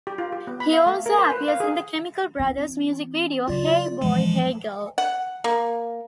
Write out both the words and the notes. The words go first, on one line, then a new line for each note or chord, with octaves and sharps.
He also appears in the Chemical Brothers music video "Hey Boy Hey Girl".
G4
F4
G4
B3
B5
F5
A3
A#4
C5
B4
F5
G#4
E3 C4
C#3 F#3 F4 D5
A#1 F#2 E3 F3 G#3
F#5
A#3